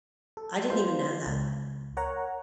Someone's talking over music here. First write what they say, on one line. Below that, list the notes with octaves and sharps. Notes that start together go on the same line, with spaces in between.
I didn't even know that.
A4
B3 F4 C5
C#2
A#4 C#5 F#5 A#5